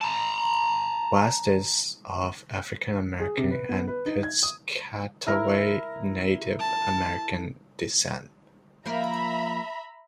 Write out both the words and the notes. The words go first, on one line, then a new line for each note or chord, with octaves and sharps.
West is of African American and Piscataway Native American descent.
A5 A#5
G#4
C3
B4
B3
B4
D#4
G#6
D#6
E4 A#4
A5
F3 A#3 A#4 E5 A#5 B5